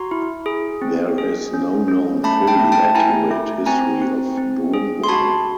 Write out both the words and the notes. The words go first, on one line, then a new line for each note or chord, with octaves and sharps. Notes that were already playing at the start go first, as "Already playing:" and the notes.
There is no known fully accurate history of broomball.
Already playing: F#4 A#5 C6
E4
G#4
C4
G#4
C#4
C#4
A3 A5 B5
G5 A5
A3
G5 A5
E4 G#5 A#5
A3
C4 G#5 A#5
C4
C4
G#4
C6
F#4 A5 B5